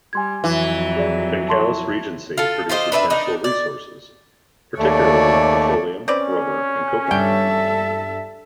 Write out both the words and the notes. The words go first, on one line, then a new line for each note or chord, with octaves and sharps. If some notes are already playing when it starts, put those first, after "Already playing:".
Bengkalis Regency produces natural resources, particularly petroleum, rubber, and coconut.
G3 G#5 C6 G#6
F2 E3 F#3
G#4 D5
A5 C6 C#6
F4 A4
F4 G4 C5 D#5
D4 B4 D#5 E5
D4 D#4
D5
D#2 A3 C#5 D5
C4 C#4 B4 D5
G2 G3 D4 A4 E5 G5